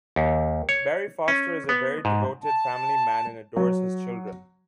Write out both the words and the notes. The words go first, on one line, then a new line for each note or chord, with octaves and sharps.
Barry Foster is a very devoted family man and adores his children.
D#2
C#5
C#4
B3
G#2
A5
F#3